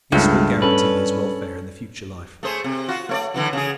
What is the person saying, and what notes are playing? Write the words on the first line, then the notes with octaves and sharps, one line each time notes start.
This will guarantee his welfare in the future life.
C#2 G2 A3
C#4 A4 B4
A3 G#4 C5
C3
F4 F#4
A3 C#5 D5
D3 E3 F#3
C#3 G#4